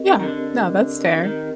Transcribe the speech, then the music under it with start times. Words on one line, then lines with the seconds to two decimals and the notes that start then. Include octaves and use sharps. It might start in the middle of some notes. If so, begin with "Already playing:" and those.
yeah, no, that's fair.
Already playing: C4 G4 A#4 D#5
0.20 D#3
0.23 D3
1.24 D#3